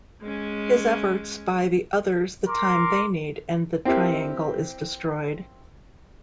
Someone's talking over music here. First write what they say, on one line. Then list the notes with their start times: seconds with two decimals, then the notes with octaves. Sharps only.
His efforts buy the others the time they need and the Triangle is destroyed.
0.22 G#3 C#4
2.48 A#4 C6 D6
3.85 C4 E4 G4 A#4